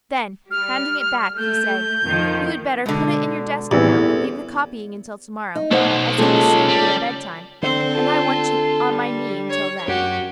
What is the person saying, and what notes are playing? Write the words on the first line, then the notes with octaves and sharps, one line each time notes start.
Then, handing it back, he said, "You had better put it in your desk now, and leave the copying until to-morrow, as it will soon be your bedtime, and I want you on my knee until then."
G3 F6
A3 G6
F2 D#3 F3
B2 D3 G#3
E2 A2 E3 G3 C4
A4
D#4
B1 A3 C5 F#5
C#2 A#2 G#3 C#4 A4
G3
D3 C4 C5
F4 A4
G3
C#5
F#2 F#4 G4